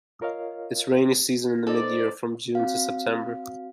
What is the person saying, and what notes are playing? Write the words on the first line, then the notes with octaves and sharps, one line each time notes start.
Its rainy season is in mid-year, from June to September.
F4 A#4 C#5 D#5 F5
B3 D#4 A4 C5 D5
C4 F#4 F5